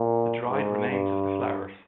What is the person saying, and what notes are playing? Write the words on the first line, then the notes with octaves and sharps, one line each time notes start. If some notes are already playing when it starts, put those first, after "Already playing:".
The dried remains of the flowers.
Already playing: A#2
G#2
G2